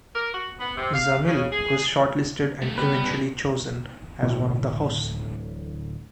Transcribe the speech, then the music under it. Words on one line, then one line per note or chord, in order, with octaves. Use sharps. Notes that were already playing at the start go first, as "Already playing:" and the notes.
Zamil was shortlisted and eventually chosen as one of the hosts.
A#4
F#4
B3
C3
F5
C#3
G#4
G3 A3
G3 B3 B4
C#3 A4
D1 A2 D3 E3